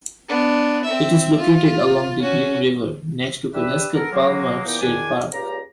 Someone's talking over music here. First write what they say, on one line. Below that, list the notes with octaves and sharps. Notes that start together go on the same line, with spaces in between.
It is located along the Green River next to the Kanaskat-Palmer State Park.
B3 D4
C4 E5
F4
C#4 F#4
D4 G4 B4 E5
B3 A4 A#4
C#3 F#3 G#3 A#3
A#2 E3 F3 B3 D#4 G4
E2 D#3 D4 G#5
C#2 A#2 C#3 G4 A#5